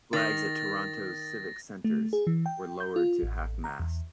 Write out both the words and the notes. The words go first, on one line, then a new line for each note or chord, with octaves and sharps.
Flags at Toronto's civic centres were lowered to half mast.
D#3 A6 A#6
A3
G#4
E3
G5
G6
F4
A1
A#5
E2